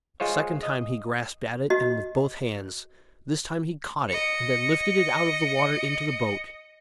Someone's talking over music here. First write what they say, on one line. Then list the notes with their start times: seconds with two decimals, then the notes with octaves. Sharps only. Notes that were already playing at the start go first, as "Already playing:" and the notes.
A second time he grasped at it, and with both hands. This time he caught it, and then lifted it out of the water into the boat.
0.20 G#3 F4 C5 C#5
0.63 D#5
1.70 F#4 D#5
4.09 D#5 C#7